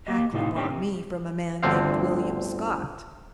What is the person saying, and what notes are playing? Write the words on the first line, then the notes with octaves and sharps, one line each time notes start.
Hackler bought me from a man named William Scott.
A#3 G4 D#5
A2 C3 A3 D#4 F4
A2 D3 C4 C#4 D#4 G4
C3
G1 D2 D3 C4 F5